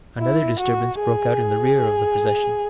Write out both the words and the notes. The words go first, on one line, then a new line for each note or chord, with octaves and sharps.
Another disturbance broke out in the rear of the procession.
E4
F#4
G#4